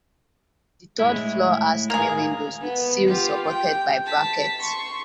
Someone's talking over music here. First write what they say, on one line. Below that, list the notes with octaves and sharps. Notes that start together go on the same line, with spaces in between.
The third floor has three windows with sills supported by brackets.
A2 G#3 E4
A#3 G#4 A#5
B3
F4 G4
G5
A5 B6
C6 C#6